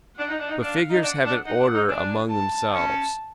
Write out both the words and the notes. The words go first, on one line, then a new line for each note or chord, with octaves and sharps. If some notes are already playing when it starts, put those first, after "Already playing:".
But figures have an order among themselves.
D4 F#5
D#4
D4
D#4
D4 F5
D#4
D4 F#5
D4
D#4 F#5
D4
D#4
D4 G#5
A5
C4
C#4 A5